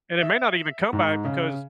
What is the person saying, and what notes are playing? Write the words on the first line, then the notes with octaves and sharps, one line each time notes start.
And it may not even come back because
E5
G#2
C#3